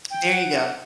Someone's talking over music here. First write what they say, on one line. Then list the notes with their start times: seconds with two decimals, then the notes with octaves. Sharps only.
There you go.
0.11 G5
0.33 F#5